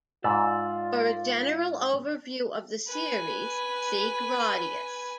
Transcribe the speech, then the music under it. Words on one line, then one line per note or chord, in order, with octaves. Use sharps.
For a general overview of the series, see "Gradius".
G#2 F4 D5 E6
B4 G#5